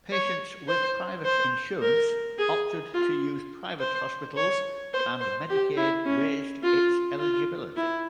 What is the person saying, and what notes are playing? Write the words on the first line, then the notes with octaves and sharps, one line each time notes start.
Patients with private insurance opted to use private hospitals and Medicaid raised its eligibility.
C#5
C5
C5
A#4
G#4
F4
C5
C#5
C5
C5
G4
E4
C#4
F4
F4
E4